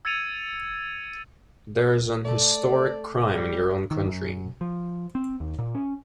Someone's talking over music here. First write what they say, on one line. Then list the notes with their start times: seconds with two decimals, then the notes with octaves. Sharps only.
There's an historic crime in your own country.
0.05 E6 G#6 A6 C#7 D#7 F7
2.25 A3 A4 D5
3.34 G3
3.91 D#3
4.06 F#2
4.61 F3
5.15 C4
5.40 D#2
5.58 A#2
5.75 C#4